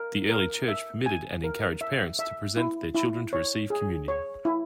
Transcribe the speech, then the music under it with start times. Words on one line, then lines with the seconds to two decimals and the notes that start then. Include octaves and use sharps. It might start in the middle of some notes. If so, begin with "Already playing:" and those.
The Early Church permitted and encouraged parents to present their children to receive communion.
Already playing: A#4
0.30 A#4
0.68 E5
1.06 G#5
1.44 A#4
1.81 E5
2.19 E5
2.57 E4
2.95 E4
3.33 C#5
3.70 G#4
4.08 C#5
4.45 E4